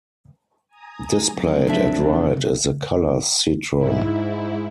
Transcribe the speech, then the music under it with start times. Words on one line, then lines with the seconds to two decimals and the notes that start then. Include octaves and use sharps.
Displayed at right is the color citron.
0.68 G#5 A#5 D#6
1.26 F#3 A3 C4
1.67 F2 D4 E5
2.07 C3
3.77 G#2 E4